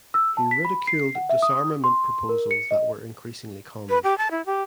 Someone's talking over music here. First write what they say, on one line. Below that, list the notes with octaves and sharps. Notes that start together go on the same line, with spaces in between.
He ridiculed disarmament proposals that were increasingly common.
E6
A5
B6
B5
C7
F#5
E5
D#6
C6
A#4
C#7
D#5
B4
G4
A5
E4
G4